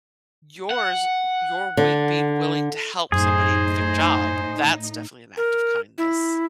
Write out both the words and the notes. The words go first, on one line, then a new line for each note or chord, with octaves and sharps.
Yours your way being willing to help somebody with their job, that's definitely an act of kindness.
F#5
D3
F#2 A2 D#4 G#4 C5
A#4
E4